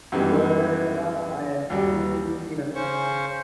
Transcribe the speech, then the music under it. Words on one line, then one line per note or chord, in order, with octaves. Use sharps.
A separate Canadian Tour took place in August and October.
F#2 D#3 E3 G3 G#3 B3
D#2 G3 F#4
C#3 C#4 C5 C#6